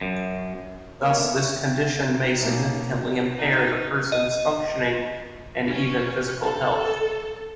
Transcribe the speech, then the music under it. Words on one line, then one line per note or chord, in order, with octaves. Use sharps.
Thus, this condition may significantly impair the person's functioning and even physical health.
F#2
B2 A#3 C#5
D3 B3 E5
G5 C#6
D#4
B1 B2 A#3 C#5
D#4
D#5
C#4
A4